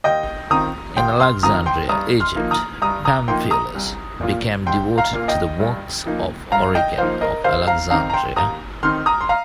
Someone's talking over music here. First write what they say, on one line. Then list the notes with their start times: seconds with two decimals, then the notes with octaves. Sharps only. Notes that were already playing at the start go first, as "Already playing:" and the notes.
In Alexandria, Egypt, Pamphilus became devoted to the works of Origen of Alexandria.
0.04 D#2 D#5 G5
0.50 D#3 C4 F4 A#5 D#6
0.97 D#2 G5 C6
1.20 C6 F6
1.43 D#3 C4 F4 A#5 D#6
1.66 G5 C6
1.89 G2 A#5 D#6
2.20 C6 F6
2.36 F3 A#3 D#4
2.51 A#5 D#6
2.82 G2 A#5 D#6
3.05 A#5 D#6
3.28 F3 A#3 D#4 G5 C6
3.51 A#5 D#6
3.75 C2
4.21 A#2 A#3 F4
4.67 C2 G5 C6
4.98 F5 A#5
5.13 A#2 A#3 F4
5.28 D#5 G5
5.60 G2
6.06 F3 A#3 D#4
6.52 G2 F5 A#5
6.75 D#5 G5
6.98 F3 A#3 D#4 C5 F5
7.21 A#4 D#5
7.44 D#2 C5 F5
7.67 F5 A#5
7.90 D#3 C4 D#4 F5 A#5
8.10 A#5
8.13 G5 C6
8.36 D#2 A#5 D#6
8.83 D#3 C4 D#4 C6 F6
9.06 A#5 D#6
9.21 C6
9.29 F5 A#5